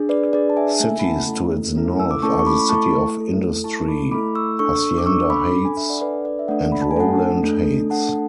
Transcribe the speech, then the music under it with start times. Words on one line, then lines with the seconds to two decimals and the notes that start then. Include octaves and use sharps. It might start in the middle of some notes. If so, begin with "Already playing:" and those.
Cities to its north are the City of Industry, Hacienda Heights, and Rowland Heights.
Already playing: D4 G#4
0.09 B4 D5
0.33 D4 G#4 B4 D5
0.50 A5
0.57 E5 G#5
0.80 A3 C#4 E4 A4 E5 G#5
0.99 B5
1.04 F#5 A5
1.28 A3 C#4 E4 A4
1.75 A3 C#4 E4 A4
2.00 E6
2.11 D6
2.22 A3 C#4 E4 A4 A5 C#6
2.39 C#6
2.46 B5 D6
2.59 B5
2.69 A3 E4 A4 A5 C#6
3.17 A3 E4 A4
3.64 A3 E4 A4 A5 C#6
3.88 B5 D6
4.11 A3 E4 A4 B5 D6
4.35 C#6 E6
4.59 D4 A4 C#6 E6
4.98 D6
5.06 D4 A4 C#6 E6
5.30 B5 D6
5.54 D4 A4
5.65 G#5 B5
5.77 E5 G#5
5.89 D5 F#5
6.01 D4 A4 B4 D5
6.25 B4 D5
6.39 E5
6.48 A3 D4 A4 D5 F#5
6.72 B5
6.82 A5
6.91 G#5
6.96 A3 D4 A4 F#5 A5
7.43 A3 D4 A4
7.90 A3 D4 A4 F#5 A5
8.09 F#5